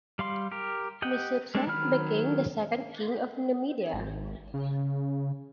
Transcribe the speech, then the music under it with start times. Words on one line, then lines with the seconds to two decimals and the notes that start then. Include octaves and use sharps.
Micipsa became the second king of Numidia.
0.19 G3 F5 C6
0.52 G4 A#4
1.02 G4 D#5 F#5 G5
1.55 G#3 A3 C4 D4 A4
1.67 D#3 F#3 B5 F6
3.93 G#1
4.54 C#3